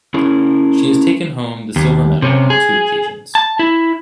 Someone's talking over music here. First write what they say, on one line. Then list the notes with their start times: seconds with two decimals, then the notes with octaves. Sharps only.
She has taken home the silver medal on two occasions.
0.14 C#4 E4 G#4 A#4
1.76 D#2
2.22 C3 C#4
2.50 G#4
3.35 A5
3.59 E4